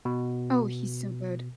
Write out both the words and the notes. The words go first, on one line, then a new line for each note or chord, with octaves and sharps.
Oh, he's so good.
B2